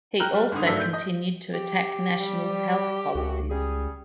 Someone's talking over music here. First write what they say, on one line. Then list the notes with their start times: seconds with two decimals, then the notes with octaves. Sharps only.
He also continued to attack National's health policies.
0.20 G5 A#5 F6 F#6
0.34 G3
0.52 F#1 G#2 D3 D#6
0.66 G#1 F#3 A3 D4 E5 B6
0.80 G6
0.93 D#5
1.54 G4
2.20 G3
3.15 C#2 F#2 C#3 F#4
3.49 G3 C#4 G#4